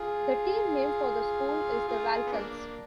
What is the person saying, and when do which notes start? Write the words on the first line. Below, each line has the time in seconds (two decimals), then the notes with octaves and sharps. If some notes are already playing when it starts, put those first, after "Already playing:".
The team name for the school is the Vulcans.
Already playing: F4 G#4
1.88 F4 G#4
2.27 B3
2.32 A#3 D4